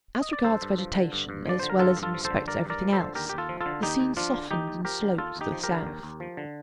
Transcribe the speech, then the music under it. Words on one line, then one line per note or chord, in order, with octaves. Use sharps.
As regards vegetation, as well as in respect to every thing else, the scene softened and sloped to the south.
D#5
D5
G2 A4 C5
G2
F3
D3
G2
G2
F3 D5
D3 C5
A#4
G2 F4 A4
G2
F4 A4
F3
A4 C5
D3
G2 A#4 D5
G2
A#4 D5
F3
A4 C5
D3
D#2 G4 A#4
D#2 G4
F4 A4
F3
F4 A4
D3
D#2 D#4 G4
D#2
F3 D4 F4
D3
D#2 D#4 G4
D#2
F3 G4 A#4
D3
D#2 F4 A4
D#2
D#4 G4
F3
G4 A#4
D3
D#2
D#2
F3
D3